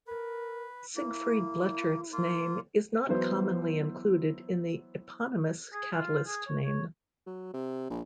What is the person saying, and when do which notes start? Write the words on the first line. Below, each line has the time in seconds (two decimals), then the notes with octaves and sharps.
Siegfried Blechert's name is not commonly included in the eponymous catalyst name.
0.07 A#4 B4
0.95 A#3 E4
2.13 A#3 F4
3.09 E3 F#3 B3 E4 C5
5.73 G#4
5.91 F4
6.26 G#4
6.46 C#5
6.64 C#5
7.26 F#3
7.54 C3
7.90 A#1